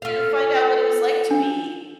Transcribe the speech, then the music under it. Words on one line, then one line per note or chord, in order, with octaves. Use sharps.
to find out what it was like to be
F4 A4 F5
D4